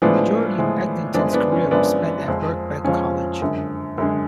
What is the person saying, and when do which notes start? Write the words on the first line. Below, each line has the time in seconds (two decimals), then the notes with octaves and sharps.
The Majority of Edgington's career was spent at Birkbeck College.
0.02 A2 F3 G#3 B3 D4
0.58 A2 F3 G#3
1.14 F#2 F3 G#3 B3 D4
1.33 B3 D4
1.52 C#4
1.71 F#2 F3 G#3 B3 D4
2.28 F2 F3 G#3
2.84 F2 F3 G#3 C#4 F4
3.42 F#2 D3 G#3
3.98 F#2 D3 G#3